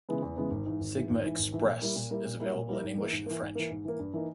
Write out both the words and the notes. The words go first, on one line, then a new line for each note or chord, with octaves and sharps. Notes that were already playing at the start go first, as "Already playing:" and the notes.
Sigma "express" is available in English and French.
C#3 E3 G#3 B3
E2
C#3 E3 G#3 B3
G#1
G#2 E3
G#1
G#2 E3
G#1
G#2 E3
G#1
G#2 E3
A#2
G3 A#3 E4 A#4
A#2
G3 A#3 E4 A#4
A#2
G3 A#3 E4 A#4
A#2
G3 A#3 E4 A#4
G#2
E3 A#3
G#2
E3 A#3
G#2
E3 A#3
G#2
E3 A#3
G2
E3 A#3 D#4